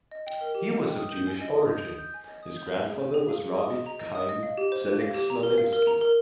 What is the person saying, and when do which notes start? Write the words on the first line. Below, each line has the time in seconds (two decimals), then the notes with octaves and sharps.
He was of Jewish origin; his grandfather was Rabbi Chaim Zelig Slonimsky.
0.11 D#5
0.27 G5
0.41 A#4
0.55 G4
0.70 D#5
0.84 G5
0.99 D#6
1.12 G6
1.27 G#5
1.41 D#5
1.56 D#6
1.70 G6
1.85 D#6
1.99 G6
2.14 G#5
2.28 D#5
2.43 D#6
2.57 G6
2.71 F5
2.85 G#4
2.99 C5
3.14 G#4
3.29 F5
3.43 G#4
3.57 D#6
3.71 D#5
3.86 A#5
4.01 D#5
4.15 D#6
4.29 D#5
4.43 F5
4.57 G4
4.72 C5
4.86 G4
5.01 F5
5.15 G4
5.30 A#5
5.43 A#4
5.58 F5
5.73 A#4
5.87 A#5
6.01 A#4